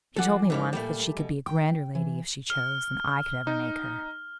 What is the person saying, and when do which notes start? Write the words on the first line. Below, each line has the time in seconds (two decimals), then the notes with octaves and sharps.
She told me once that she could be a grander lady, if she chose, than I could ever make her.
0.16 F3 F#3 A4 F#5 G#5 D6
0.50 G#2 E3 G3 A#3 D#4
0.73 A#2 G3 A3 A#3
1.17 B2
1.46 G5
1.95 E3
2.50 F6
3.47 D#4